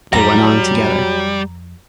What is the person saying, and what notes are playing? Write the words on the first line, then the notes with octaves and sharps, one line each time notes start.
They went on together.
F2 F#3 G3 A#5